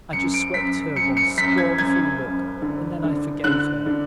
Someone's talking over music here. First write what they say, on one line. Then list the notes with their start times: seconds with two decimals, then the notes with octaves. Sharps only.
I just swept her one scornful look and then I forgave her.
0.13 F#2 C#7
0.34 D7
0.54 F#2 B6
0.96 F#2 C#7
1.17 C#7
1.37 F#2 B6
1.58 G#6
1.78 F#2 G#6
2.20 F#2
2.62 D3
3.03 D3
3.44 D3 F#6
3.86 D3